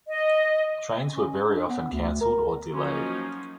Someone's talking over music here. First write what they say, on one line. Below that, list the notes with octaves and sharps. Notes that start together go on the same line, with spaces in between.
Trains were very often cancelled or delayed.
D#5
C#4
D4
B3
D2
A#4
F3 F#3 A#3 C#4 D#4 F4